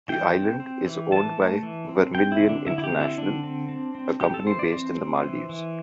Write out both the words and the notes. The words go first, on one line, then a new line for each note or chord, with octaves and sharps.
The island is owned by Vermilion International, a company based in the Maldives.
E3 G5
C4
C4
E3
E3 A5
A3
E3
C4
C4 G5
E4
D3
D4
D3 E4
E4
G4
C4
E4
D3 D4
C4
C4
C4
C4 G4
A4
E3 C5
D5
C4 C5
C4
E3
E3